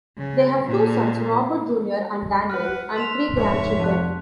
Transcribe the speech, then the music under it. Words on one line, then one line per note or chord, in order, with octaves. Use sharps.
They have two sons, Robert Junior and Daniel, and three grandchildren.
C#3
A#2
B4 F#5 F6 F#6
C6 E6 B6 F7
F1 G#2 C#5 E5
F2 A5 F#6